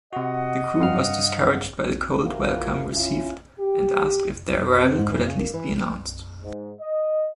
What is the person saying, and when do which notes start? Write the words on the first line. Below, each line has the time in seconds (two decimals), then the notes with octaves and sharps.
The crew was discouraged by the cold welcome received and asked if their arrival could at least be announced.
0.13 C3 F#4 D#5 F#5
0.80 G2 F5 F6
2.22 C3 E3 F3 A#3 F4 F#4
2.92 C#4 E4 F4
3.59 G4
4.82 C4
4.97 G#2
5.10 E3
5.27 C#3
5.39 A#3
5.54 E3
6.44 G#2
6.80 D#5